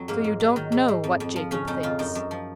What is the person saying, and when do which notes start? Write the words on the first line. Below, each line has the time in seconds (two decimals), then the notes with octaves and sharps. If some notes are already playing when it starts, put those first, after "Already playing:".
"So you don't know what Jacob thinks?"
Already playing: F2 F#3
0.08 G#2 A#3
0.24 G#2
0.40 F#3
0.56 D#3
0.72 G#2
0.88 G#2
1.04 F2
1.20 F2
1.36 F3
1.51 C#3 C#4
1.67 F2 D#4
1.83 F2 F4
1.99 F#2 D#4
2.15 F#2
2.31 F3